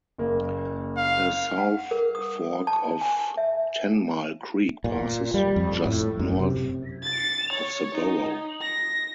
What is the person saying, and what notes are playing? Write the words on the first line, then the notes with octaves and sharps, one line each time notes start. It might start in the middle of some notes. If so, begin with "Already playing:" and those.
The South Fork of Tenmile Creek passes just north of the borough.
F#1 A#3
F5
F#5
A#4
D#6
A5
G#5
E5
A#2
G3
F2
A2
F#2
C3
A6
C#5
D#4
A#6